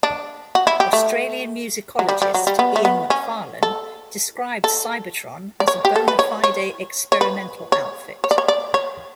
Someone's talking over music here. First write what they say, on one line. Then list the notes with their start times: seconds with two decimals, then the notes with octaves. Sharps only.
Australian musicologist, Ian McFarlane, described Cybotron as "a bona fide experimental outfit".
0.03 D4
0.55 F#4
0.67 E4
0.80 G4
0.93 A3
1.99 F#3
2.09 G3
2.22 G3
2.34 F#3
2.47 G3
2.59 B3
2.76 A3
2.85 B3
3.10 C#4
3.63 A4
4.64 A4
5.60 D5
5.68 C#5
5.85 G4
5.96 A4
6.08 B4
6.19 C#5
6.44 C#5
7.12 C#5
7.21 B4
7.72 C#5
8.24 C#5
8.31 D5
8.38 C#5
8.48 D5
8.74 C#5